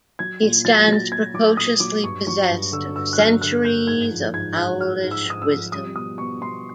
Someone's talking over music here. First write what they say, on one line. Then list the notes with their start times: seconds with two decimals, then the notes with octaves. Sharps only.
He stands precociously possessed of centuries of owlish wisdom.
0.19 F#3 G#6
0.43 A#2
0.65 F#3 A6
0.79 A#6
0.88 F#3 A6
1.12 A#2 G#6
1.34 F#3 D6
1.57 A#2 D#6
1.80 F#3 D6
2.04 G2 C#6
2.27 F#3 C#6
2.49 G2
2.72 D3 E6
2.95 G2 E6
3.13 F#6
3.19 F#3 F6
3.42 D3 F#6
3.65 G2 G6
3.87 G#2 G#6
4.11 F3
4.34 G#2 G#6
4.56 G#2 F#6
4.80 G#2 F6
5.03 G#2
5.11 E6
5.26 G#2 D#6
5.42 E6
5.50 F3
5.72 G3 D#6
5.96 B2 D#6
6.18 B2 C#6
6.41 B2 C6